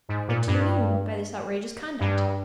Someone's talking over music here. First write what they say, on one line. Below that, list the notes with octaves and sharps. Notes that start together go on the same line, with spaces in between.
What do you mean by this outrageous conduct?
G#2
A#2
G2
G2